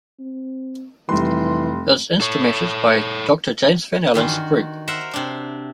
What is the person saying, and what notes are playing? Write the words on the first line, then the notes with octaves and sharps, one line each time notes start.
It was instrumented by Doctor James van Allen's group.
C4
F1 E3 G3 C6
A4 C#5
G2 D#3 E3 F4
F#4
A#4 C5 E5 F#5
C3 D4